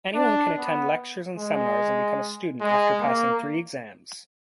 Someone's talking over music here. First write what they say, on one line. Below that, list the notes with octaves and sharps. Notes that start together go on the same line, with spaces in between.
Anyone can attend lectures and seminars and become a student after passing three exams.
D4
B3
G#3
G#3
A#3